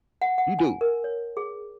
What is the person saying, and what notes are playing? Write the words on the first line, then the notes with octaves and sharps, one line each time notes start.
You do.
F#5
F#5
G#5
A#4
C#5
G#4